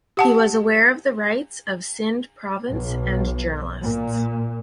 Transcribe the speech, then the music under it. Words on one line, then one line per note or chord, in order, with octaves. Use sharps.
He was aware of rights of Sindh province and journalists.
G4 F#5 A5
B1
A#2